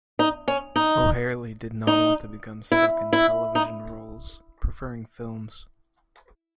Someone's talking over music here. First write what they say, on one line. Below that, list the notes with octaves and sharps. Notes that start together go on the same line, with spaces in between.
O'Herlihy did not want to become stuck in television roles, preferring films.
D#4
C#4
D#4
D#4
E4
E4
D#4